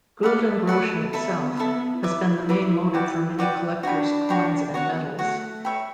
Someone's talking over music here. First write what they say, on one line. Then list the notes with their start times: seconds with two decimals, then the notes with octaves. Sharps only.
Guldengroschen itself, has been the main motive for many collectors coins and medals.
0.23 A3 D5 F#5 B5
0.67 D5 F#5 B5
1.13 B3 A4 E5 B5
1.57 A4 E5 B5
2.02 E4 B4 E5 B5 D6
2.49 B4 E5 B5 D6
2.94 F#4 B4 D5 G5
3.39 F#4 B4 D5 G5
3.83 D4 F#4 C#5 G5 B5
4.29 F#4 C#5 G5 B5
4.74 B3 F#4 C#5 F#5
5.19 A3 F#4 C#5 F#5
5.65 C#5 E5 G5 B5